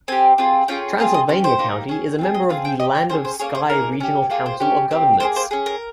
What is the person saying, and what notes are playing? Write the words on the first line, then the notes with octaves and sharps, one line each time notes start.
Transylvania County is a member of the Land-of-Sky Regional Council of governments.
C4 G4 G#5
C4 F4 G#4
C#4 F4 G#4 G5
C4 F4 G#4 F5
D#5
C#4 G4 C5
C5
A#3 D#4 G4
C#4 G#4
C4 F4 G#4
D#5
C4 F4 G#4 F5
G5
C4 G4 D#5
C#5
C#4 F4 G#4 C5
C5
A#3 C#4 G#4 C#5
C5
A#3 D#4 G#4 A#4
C#4 G4
A#3 F4 G#4
C5
C#4 G4
C4 G4
A#3 D#4 G#4 C5
C5
C#4 G#4
A#4